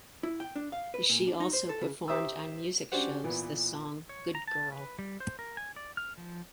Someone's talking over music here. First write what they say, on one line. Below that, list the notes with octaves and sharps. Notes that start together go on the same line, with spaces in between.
She also performed on music shows the song Good Girl.
E4
G5
D4
F5
B4
A#2
D4
D#4
C5
A4
C#3
G4 C5 E5 A#5 D#6 E6
C#4 D4 F#4 G4 C5 F#5
A#2 E3 B3
C#5
A#5
A5
B4
G3
C5
A#4
G#5
D5
F6
F3